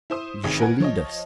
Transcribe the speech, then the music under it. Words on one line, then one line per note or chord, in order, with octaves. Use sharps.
You shall lead us.
E4 C5 D#6
A1 C3 D#3 G#4 D#6 G#6
A#4 B4 F#5 G#5 G#6
F3 C#5 D#5